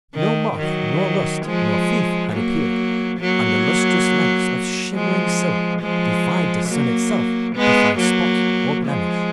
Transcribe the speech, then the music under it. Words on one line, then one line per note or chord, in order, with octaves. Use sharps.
No moth nor rust nor thief had appeared, and the lustrous lengths of shimmering silk defied the sun itself to find spot or blemish.
D#3
D#3 F#3
F3 G#3
F#3 A#3
F#3 A#3
F3 G#3
F3 G#3
F#3 A#3
G#3 B3
F#3 A#3
F3 G#3